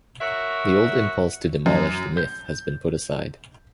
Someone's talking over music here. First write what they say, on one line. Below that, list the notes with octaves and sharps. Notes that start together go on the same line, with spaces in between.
The old impulse to demolish the myth has been put aside.
F#4 A#4 C#5 E5
F#2
G6